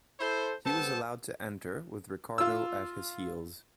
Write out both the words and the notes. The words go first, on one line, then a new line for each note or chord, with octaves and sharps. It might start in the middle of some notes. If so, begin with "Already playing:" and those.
He was allowed to enter, with Ricardo at his heels.
E4 A4 C5
G3 B3 A4 C5 A5
F4 E6